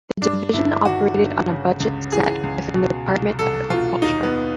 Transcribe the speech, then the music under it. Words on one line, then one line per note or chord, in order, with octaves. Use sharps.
The division operated on a budget set within the Department of Agriculture.
G2 D4
G1 E4
D#3 F#4
G1
C#3
C#2
E3 G#4
C#2
B2
C2
C2 A4
B2 F4
D#2 D#4
B3